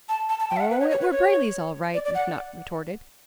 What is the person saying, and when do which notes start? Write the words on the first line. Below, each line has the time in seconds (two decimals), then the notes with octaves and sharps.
"Oh, it were Brayley's, all right," McNutt retorted.
0.09 A5
0.29 A5
0.40 A5
0.50 G5
0.57 E5
0.60 F#5
0.71 B4
0.81 C#5
0.91 C#5
1.01 B4
1.12 C#5
1.94 D5
2.05 D5
2.15 F#5